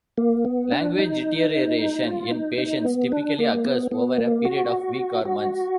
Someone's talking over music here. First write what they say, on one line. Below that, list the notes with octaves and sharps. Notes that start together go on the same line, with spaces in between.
Language deterioration in patients typically occurs over a period of weeks or months.
A#3
B3
D4
D#4
F4
D#4
D#4
B3
D4
A#3
B3
B3
A#3
F#4
F#4